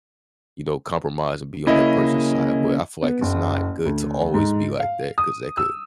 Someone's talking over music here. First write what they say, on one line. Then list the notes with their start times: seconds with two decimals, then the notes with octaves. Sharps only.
you know, compromise and be on that person's side, but I feel like it's not good to always be like that 'cause that could
1.67 C#3 A#3 C#4 E4 D#5
3.02 B3
3.21 F#1
3.86 D2
4.34 G#2
4.80 F5
5.18 D#6
5.57 E6